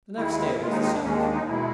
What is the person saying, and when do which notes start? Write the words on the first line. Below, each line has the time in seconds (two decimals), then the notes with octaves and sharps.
The next day was the Sabbath.
0.16 D#2 D#3 G#3 E4
0.60 D#2 D#3 G#3 F4
0.71 D#4
0.83 D#4
0.93 D4
1.04 D#2 D#3 G#3 C#4
1.18 D4
1.33 D#4
1.48 B2 G#3 E4